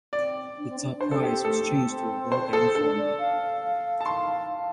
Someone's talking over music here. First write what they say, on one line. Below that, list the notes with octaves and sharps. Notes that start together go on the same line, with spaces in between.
The top prize was changed to a rolldown format.
C4 D5
D4
C4
D4
D4 C5
A4
C4 G4
A3 A4
C4
C4
C5
A4
D4 A4
D5
F5
F5
A5
F5 C6
F5